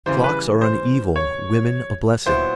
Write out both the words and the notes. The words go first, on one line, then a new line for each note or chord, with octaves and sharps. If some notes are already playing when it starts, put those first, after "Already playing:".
Clocks are an evil, women a blessing.
C#3 E3 G3 C5
B4
C5
C#5
A#2 F#3 B3 E4 C5